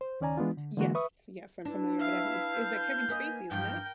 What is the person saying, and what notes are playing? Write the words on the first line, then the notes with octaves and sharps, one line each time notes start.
Yes, yes I'm familiar, but I've is is that Kevin Spacey, isn't it?
C5
C#2 D#3 C#4 D5 G#5 A#5
E3 G#3 B3 D4 F4
D3
D3 E3 G#3 A#3 F#4
B4 E5 C#6 D#6
D4 E4 B4 A5
E5 F5
G6
A#3 B4 D#5 G#5
G2 E3 F3 A#4 G5 G6